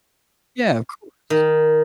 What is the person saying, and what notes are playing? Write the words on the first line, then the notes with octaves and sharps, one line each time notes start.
Yeah, of course.
D#3